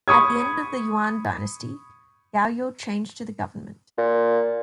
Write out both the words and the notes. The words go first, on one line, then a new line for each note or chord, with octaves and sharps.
At the end of the Yuan Dynasty, Gaoyou changed to the government.
B5 C#6 D#6 G#6
A#2